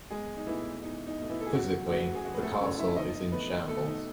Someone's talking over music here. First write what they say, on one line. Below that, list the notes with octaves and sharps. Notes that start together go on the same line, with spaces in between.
Physically, the castle is in shambles.
E2 G#3 G#4
D#4
B2 E3 A3 E4
E2 D#4
D#4
B2 A3
E3 E4
A4
G#4
C#2 F#3 F#4
C#3 E3 F#3 A3 F#4
G#4
C#2 F#3 F#4
B4
A3 A4
C#3 E3 A3 C#4 C#5
E4 E5
B2 D#4 D#5
A3 B3 B4
B2 A3 A4
D#4